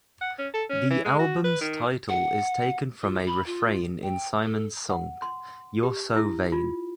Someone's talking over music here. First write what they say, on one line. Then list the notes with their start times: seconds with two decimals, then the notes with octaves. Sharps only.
The album's title is taken from a refrain in Simon's song You're So Vain.
0.21 F#5
0.38 C#4
0.54 A4
0.70 C#4
0.90 E3
1.05 G#3
1.19 F#4
1.44 B4
1.61 D#3
2.09 F#5
3.02 F4
3.27 B5
3.46 F4
4.03 G5
4.43 A4
4.90 F#5
5.22 C6
5.83 G4
6.16 E4
6.52 F4